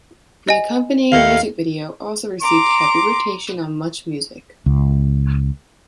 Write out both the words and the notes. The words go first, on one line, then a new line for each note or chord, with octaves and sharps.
The accompanying music video also received heavy rotation on MuchMusic.
D#5 G#5
D#2 A2 F5
A#5 C6 D6
C#2